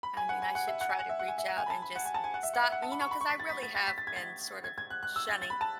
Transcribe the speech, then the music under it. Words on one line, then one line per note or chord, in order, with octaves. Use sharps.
I mean, I should try to reach out and just stop you know, 'cause I really have been sort of shunning
B5
G#5
F#5
G#5
F#5
E5
F#5
G#5
F#5
E5
F#5
G#5
E5
F#5
G#5
B5
A5
B5
F#5
G#5
A5
G#5
F#5
E5
F#5
E5
F#5
A5
B5
C#6
B5
C#6
B6
A6
B6
A6
A6
B6
A6
G#6
A6
G#6
G#6
F#6
F#6
E6
A6
A6
B5
A5